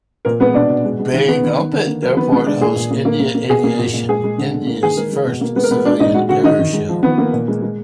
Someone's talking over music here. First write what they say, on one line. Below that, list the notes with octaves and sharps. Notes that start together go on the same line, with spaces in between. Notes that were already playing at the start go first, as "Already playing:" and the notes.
Begumpet Airport hosts 'India Aviation', India's first civilian air show.
A#2 A#4
G#3 B3 B4
B2 D4 D5
B2
G#3
G#3
D#3
D#3 B3 B4
D#3
D#3
D3
A#3
F#3 A#4
D#3 B3 B4
G#3 B3 B4
G#3 D4 D5
A#2 G#4
A#2
A#3
A#3
A#3
A#3
B2 G#4
A#3
A#2
A#2
G#3 G#4
G#3
D3
D3
A#3
D#3 G#4
G#3 A#4
G#3
B2
A#3
G#3 B3 B4
A#4
G#3 B3 B4
G#3 D4 D5
A#2 D#4 D#5
G#3 F#4 F#5
D3 F#4 F#5
D#3 D#4 D#5
D#3
G#3
F3
D#3 B3 B4
A#3
A#2
G#3
G#3